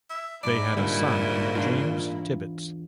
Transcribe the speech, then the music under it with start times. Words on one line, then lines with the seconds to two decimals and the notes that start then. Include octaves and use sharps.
They had a son, James Tibbets.
0.10 E5
0.43 G#2 E4 D5
0.77 A#2 D3 G3
1.55 E2 D4 F4